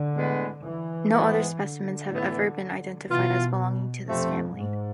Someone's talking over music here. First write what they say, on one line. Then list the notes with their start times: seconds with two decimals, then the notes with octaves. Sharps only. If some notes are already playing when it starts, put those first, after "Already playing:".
No other specimens have ever been identified as belonging to this family.
Already playing: D3
0.14 A2 G#3 B3
0.63 E3
1.12 G#2 G#3 B3 E4
1.62 D3
2.10 A2 E3 B3
3.08 B2 E3 B3 F4
4.06 F2 C3 F3 A3 C4
4.56 G#2